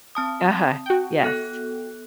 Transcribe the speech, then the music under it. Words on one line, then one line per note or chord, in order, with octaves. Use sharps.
Uh-huh, yes.
C4 A5 D#6
F#4 G5
B3 A4 F#6